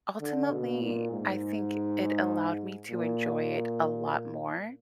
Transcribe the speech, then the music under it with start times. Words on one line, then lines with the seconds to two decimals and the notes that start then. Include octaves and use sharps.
ultimately, I think it allowed me to enjoy it a lot more.
0.21 D3
0.51 B2
0.82 A#2
1.11 G#2
2.91 A#2